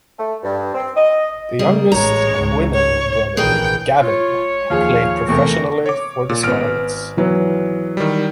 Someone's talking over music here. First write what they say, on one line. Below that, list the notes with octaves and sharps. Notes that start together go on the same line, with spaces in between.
The youngest Quinnell brother, Gavin, played professionally for the Scarlets.
A3
G2
C4
D#5
C#3 G3 A#3 G#4
A1 G#3 C#5 A#5
C#2 G#2
C#5
A#1 E3 G#4 A#4 G5
F4 C#5
D#2 F3 G#4 F5
E2 C3 A3 A#4 C#6
C#5 D6
A#2
G#1 B3 F6 D7
E3 F#3 B3
D#3 G3